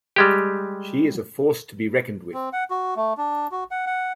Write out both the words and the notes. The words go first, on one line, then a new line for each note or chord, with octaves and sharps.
She is a force to be reckoned with.
G3 G#3 G4
C4
F#5
F#4
A3
D4
F#4
F#5
F#5